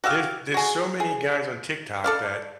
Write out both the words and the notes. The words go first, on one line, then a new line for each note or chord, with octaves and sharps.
There's there's so many guys on TikTok that
F#4 G4 E5 F5
F#4 G#4
G#4
A4 D5 F5